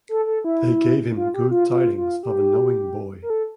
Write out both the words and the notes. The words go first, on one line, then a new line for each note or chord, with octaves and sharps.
They gave him good tidings of a knowing boy.
A4
A4
E4
F4
G4
F4
F4
F4
G4
A#4
A4